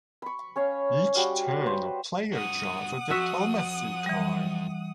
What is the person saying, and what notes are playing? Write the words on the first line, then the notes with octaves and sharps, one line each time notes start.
Each turn a player draws a diplomacy card.
B5 C#6
C#4 C#5 F5
G3 F#4 F5
B4 C5
G2 F#4 F#5 D#6
F2 F#4 E5
E3 G3